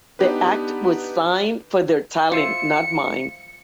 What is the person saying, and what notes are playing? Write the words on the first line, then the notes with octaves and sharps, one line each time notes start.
The act was signed for their talent not mine.
B3 D4 D#4 G4 B4
F4 C5 E5 C#7